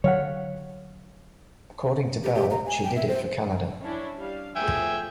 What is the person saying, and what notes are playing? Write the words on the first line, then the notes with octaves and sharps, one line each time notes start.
According to Bell, she did it for Canada.
D3 F#3 C#5 F5 F#5
G4
G4
A#5
G#5
G5
E5
C5
C#4 D4 E4
G3 F5
F3 A3 G#4 E5 G5 G#5